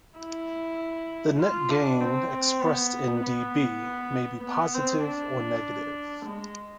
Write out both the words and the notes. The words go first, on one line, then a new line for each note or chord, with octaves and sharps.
The net gain expressed in dB may be positive or negative.
E4
F4
D4
C4
C4
B3
B3
B3
C4
D4
G#3